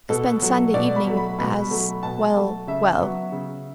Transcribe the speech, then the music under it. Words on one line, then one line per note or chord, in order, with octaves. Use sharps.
"I spend Sunday evening as--Well, well."
B2 A4
F#3 A3
B2 D5
B5
F#3 A3
B5
B2 B5
F#3 A3
B2 A5
F#3 A3
C#3 E5
F#3 B3
C#3